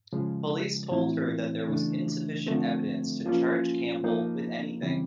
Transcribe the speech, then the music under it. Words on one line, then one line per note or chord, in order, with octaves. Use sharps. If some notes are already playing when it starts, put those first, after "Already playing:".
Police told her that there was insufficient evidence to charge Campbell with anything.
C#3 F3 G#3
A2 E3 A3 C4 E4
C#3 E3 A3 D4
D3 F3 A3 C4
F3 A#3 C#4 F4
F3 A#3 D#4
C#3 E3 G3 C4